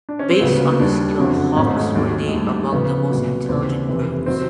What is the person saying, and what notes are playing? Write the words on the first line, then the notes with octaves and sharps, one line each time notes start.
Based on this scale, Hawks were named among the most intelligent birds.
D4
C#4
C4
D2 C#3 F#3 B3
A#3
D#2 D#3 G3 D4
F#1 F2 D3 F#3
G#1 G#2 D#3 C#4
A3
G#3
G3
D#2 D#3 F#3 G#3
G#3
D#2 D3 G3 A3
D2 C#3 F3 B3
C2 A#2 F#3
D#2 C#3 E3 C4
F1 F2 C3 E3
D#3 F#3 C4